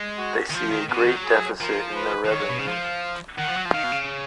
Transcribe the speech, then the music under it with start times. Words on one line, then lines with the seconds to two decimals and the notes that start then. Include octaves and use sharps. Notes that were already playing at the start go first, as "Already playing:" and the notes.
They see a great deficit in their revenues.
Already playing: G#3
0.18 F#4
0.50 D#3
0.54 F3 F4
0.72 D#3
0.89 B2 F#4
0.99 C#3
1.03 F3
1.07 D#3
1.16 F#3
1.25 G#4
1.60 F3 A#4
1.96 B4
2.25 F3
2.31 D#3 C#5
2.41 F#3
2.49 B2
2.59 C#3
2.67 F3 F5
3.38 D#3 F#5
3.48 F3
3.56 F#3
3.65 F3
3.74 D#3 F5
3.83 B2
3.92 C#3